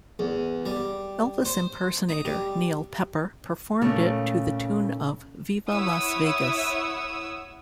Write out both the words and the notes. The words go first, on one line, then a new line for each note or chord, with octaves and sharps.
Elvis impersonator Neil Pepper performed it to the tune of "Viva Las Vegas".
E2
G3
C5
D#4
G3
A#2 C#3 A3 D#4
E4 C#5 F#5 D#6 E6